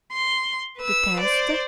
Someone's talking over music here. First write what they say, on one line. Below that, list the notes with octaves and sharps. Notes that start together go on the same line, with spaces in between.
"The test?"
C6
B4 E6
C5 D5